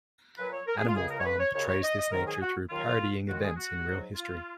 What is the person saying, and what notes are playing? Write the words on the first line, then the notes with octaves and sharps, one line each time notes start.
"Animal Farm" portrays this nature through parodying events in real history.
A#2 F#3 B4
C#5
A#4
G#4
F4
C#2 C#3 G#3 G#4
A#4
C#5
B4
C#5
D#2 C#3 G#3 C#5
C#5
D#5
D#5
G#2 D#3 F#3 A#4
G#4
F#4
D#2 D#3 F#3 F4
D#2 D#3 G#3 F#4
G#4
F#4
G#2 F#3
F4